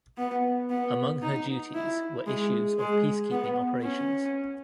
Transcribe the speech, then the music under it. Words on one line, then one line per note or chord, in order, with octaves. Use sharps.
Among her duties were issues of peacekeeping operations.
B3
B3
D#4
E4
G#3
G#3
B3
C#4